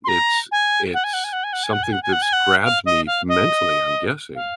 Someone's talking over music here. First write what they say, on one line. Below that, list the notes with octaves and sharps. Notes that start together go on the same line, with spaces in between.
it's it's something that's grabbed me mentally, I'm guessing.
C6
A#5
G#5
F#5
G#5
F#5
G#5
F#5
G#5
F#5
G#5
F#5
G#5
F#5
G#5
F#5
G#5
F#5
F5
D#5
F5
D#5
F5